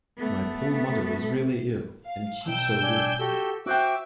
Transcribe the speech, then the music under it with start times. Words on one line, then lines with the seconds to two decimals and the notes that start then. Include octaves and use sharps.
My poor mother is really ill, and keeps her room.
0.18 A3 B3
2.05 F5
2.48 B1 G5 E6 G6
2.83 D4 G5 G#5
3.20 F#4 G4 A4
3.66 F#4 C5 E5 G5 D6 E6